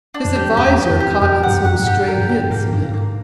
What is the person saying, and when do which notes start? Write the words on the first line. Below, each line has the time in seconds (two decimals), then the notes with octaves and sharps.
His adviser caught at some stray hints in it.
0.14 D4
0.25 F2
0.36 G4
0.57 E2 G4
0.79 G4
0.90 F2
1.00 G4
1.21 F2 A#4
1.43 G2 F#5
1.54 F#2
1.65 F#5
1.80 F#2
1.86 G2 G4
2.08 A#4
2.18 G2
2.29 G4
2.40 G2
2.50 G#2 A#3
2.72 G2 A#3
2.82 G#2
2.94 A#3